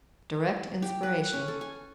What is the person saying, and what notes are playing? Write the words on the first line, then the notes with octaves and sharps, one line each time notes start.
"Direct inspiration."
G4
B4
C#4
A4
G#5